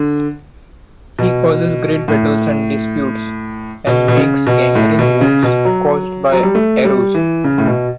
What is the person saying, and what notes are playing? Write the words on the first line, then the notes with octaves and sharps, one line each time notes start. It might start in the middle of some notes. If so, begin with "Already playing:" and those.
He causes great battles and disputes, and makes gangrene wounds caused by arrows.
Already playing: D3
B2
A2
B2
B2
C#3
B2
A2
B2
C#3
B2
F#3
F#3
G3
A3
G3
E3
C#3
A2
B2